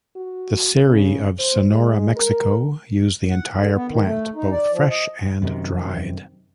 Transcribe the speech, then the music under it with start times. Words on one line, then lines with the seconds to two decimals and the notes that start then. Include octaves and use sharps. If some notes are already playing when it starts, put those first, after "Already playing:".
The Seri of Sonora, Mexico use the entire plant both fresh and dried.
0.16 F#4
0.81 C#3
1.39 C5
1.71 G#3
2.16 A#4
3.31 F#5
3.57 D3
3.74 B3
3.88 D#3
4.03 A3
4.36 D#4
4.52 D5
4.72 F3
4.90 D#5
5.42 F#2 C3 D#3